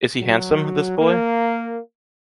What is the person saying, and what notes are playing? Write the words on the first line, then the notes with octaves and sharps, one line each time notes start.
Is he handsome, this boy?
F#3
A#3